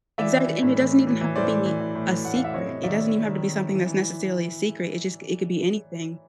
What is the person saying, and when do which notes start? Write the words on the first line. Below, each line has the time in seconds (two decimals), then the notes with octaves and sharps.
Exactly, and it doesn't even have to be a secret, it doesn't even have to be something that's necessarily a secret, it just c it could be anything.
0.18 E3 D5 E5
0.33 E3
0.48 E3
0.62 A2
0.77 E3
0.92 A2
1.07 E3
1.21 E3
1.36 A2 C5 D5
1.51 A2
1.66 E3
1.80 E3
1.95 A2
2.10 E3
2.24 A2 F#5
2.35 A2 F5
2.44 E5
2.53 C3 C#5 D#5
2.68 C3
2.84 D#3 D5 E5
2.98 D#3
3.12 D#3
3.27 D#3
3.42 C3
3.56 D#3
3.71 E3
3.86 E3